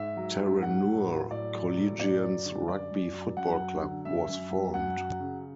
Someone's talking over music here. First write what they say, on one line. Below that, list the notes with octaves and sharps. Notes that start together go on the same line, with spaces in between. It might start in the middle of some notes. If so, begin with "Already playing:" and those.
Terenure Collegians Rugby Football Club was formed.
Already playing: G#2 E5
F#3
G#2
F#3 F#5
A2
F#3
A2 D5
F#3
A2
F#2 D5
F#3
D3
F#2 D5
F#2
F#3
F#2 F#5
F#3
D3
F#2 E5
F#2
F#3
F#2 F#5
F#3
C#3